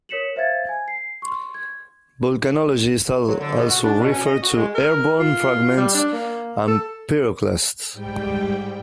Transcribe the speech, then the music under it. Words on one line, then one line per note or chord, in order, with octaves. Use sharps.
Volcanologists also refer to airborne fragments as pyroclasts.
A#4 C#5 B6 C#7 E7 F#7
C5 E5 F5 G#6 A6
G#5 G#6
C7
C6 C#6
G#6
F#3
D3
B2
F#4
D4
B2
C#4
D#5
F#4
G#3
A#4
F4
G3
D4
A#3
A4
G#2 G3 G5